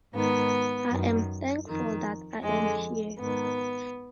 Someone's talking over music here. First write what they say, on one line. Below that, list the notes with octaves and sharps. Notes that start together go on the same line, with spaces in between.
I am thankful that I am here.
G#2 D#3 B3
F#2 D#3
F2 D#3
F2 D3 G#3
G#2 D#3 B3